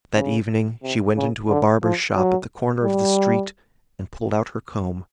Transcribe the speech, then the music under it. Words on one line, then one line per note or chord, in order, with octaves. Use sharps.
That evening she went into a barber's shop at the corner of the street, and pulled out her comb.
C#3
C3
C#3
D3
F3
F#3
G3